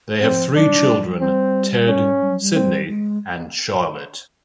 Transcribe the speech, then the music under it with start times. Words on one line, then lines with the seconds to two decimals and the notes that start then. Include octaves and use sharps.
They have three children: Ted, Sidney, and Charlotte.
0.21 F3 C4
0.55 F#3 D4
0.66 G3
0.77 G3
1.21 G3 C4
1.88 C#4
2.21 G3
2.31 F#3
2.40 G3
2.55 C4
2.88 G#3